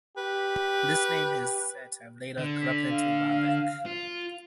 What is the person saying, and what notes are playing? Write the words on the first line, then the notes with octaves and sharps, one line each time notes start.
This name is said to have later corrupted into Waubach.
G4 B4
D3
B6
F5
F4